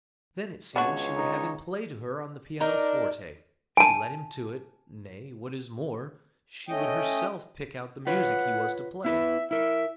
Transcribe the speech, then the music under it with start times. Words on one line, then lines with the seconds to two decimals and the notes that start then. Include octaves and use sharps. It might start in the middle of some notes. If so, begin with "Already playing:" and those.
Then it seemed she would have him play to her on the pianoforte: she led him to it, nay, what is more, she would herself pick out the music he was to play.
0.76 C#2 B3 D4 F#4 C#5
1.17 D#4
2.60 D4 D#4 A#4
3.77 G#5 A5
6.69 A3 C#4 D#5 G5
8.07 F4 B4 C#5 F#5
9.04 B3 E4 B4 E5
9.51 E4 A#4 E5